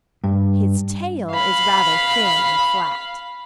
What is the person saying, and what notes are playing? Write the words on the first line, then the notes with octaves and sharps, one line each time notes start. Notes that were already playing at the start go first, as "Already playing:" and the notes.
His tail is rather thin and flat.
G2
F5 B5